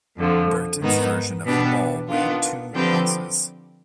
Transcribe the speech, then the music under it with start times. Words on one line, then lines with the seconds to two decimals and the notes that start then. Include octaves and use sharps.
Burton's version of the ball weighed two ounces.
0.17 F2 D3 F3
0.81 G#2 D#3 B3 D#4
1.45 B2 B3 D4 G4 B4
2.08 D#3 B3 D4 F4
2.72 D3 F3 C4 G4 B4